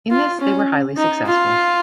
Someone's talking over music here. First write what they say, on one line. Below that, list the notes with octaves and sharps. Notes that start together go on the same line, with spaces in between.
In this they were highly successful.
F4
C#4
D#4
F4